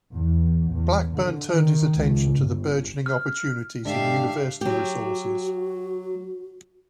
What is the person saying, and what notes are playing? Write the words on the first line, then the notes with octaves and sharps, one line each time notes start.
Blackburn turned his attention to the burgeoning opportunities in university resources.
E2
E2
D3
D#3
C#2
G1
F6
G#2 D3 D4 G4 E5 F5
F#3 F#4 G4